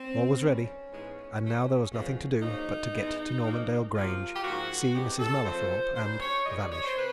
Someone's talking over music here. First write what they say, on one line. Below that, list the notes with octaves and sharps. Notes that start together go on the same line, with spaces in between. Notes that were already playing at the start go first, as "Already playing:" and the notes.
All was ready--and now there was nothing to do but to get to Normandale Grange, see Mrs. Mallathorpe, and--vanish.
Already playing: C4
G2 D#3 G3 C#4
G#2 E3 G#3 B3
B2 F#3 A3
F2 C#3 F3 G#3 B3
F#2 C#3 F3 A#3 D#4
G#2 E3 G#3 B3
A#2 F3 A#3
C3 F3 A#3 F4
G4
G#2 F3 A#3 F#4
C3 E3 G#3 B3 G4
A4
F2 C#3 F3 A3 C5
G2 D3 F#3 A#3 C5
C#5
F#2 C#3 E3 G3 D#5
D5
C#5
C5
C3 B4